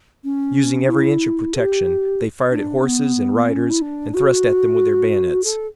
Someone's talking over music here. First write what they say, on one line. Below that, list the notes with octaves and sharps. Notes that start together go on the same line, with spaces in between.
Using every inch of protection, they fired at horses and riders and thrust at them with their bayonets.
C#4
E4
A4
G4
D4
B3
C#4
E4
D4
F#4
A4